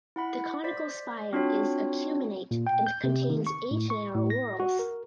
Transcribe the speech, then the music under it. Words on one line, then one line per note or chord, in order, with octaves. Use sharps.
The conical spire is acuminate and contains eight narrow whorls.
E4 F#5 B5
C5 D5 B6
C4 D4 F4 F#4 C#5
A#2
G5
G6
C3
D#3
C#6
A2
C#6
A2
A#6
F#4
A#4